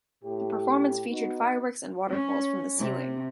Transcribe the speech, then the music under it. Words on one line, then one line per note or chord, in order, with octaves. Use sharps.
The performance featured fireworks and waterfalls from the ceiling.
A2 G4
B3 D#4 F#4
C#4
C3